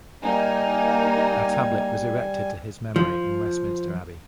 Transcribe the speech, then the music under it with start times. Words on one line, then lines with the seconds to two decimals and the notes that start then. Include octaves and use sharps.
A tablet was erected to his memory in Westminster Abbey.
0.24 G3 A#3 D#4 G#5
2.96 F3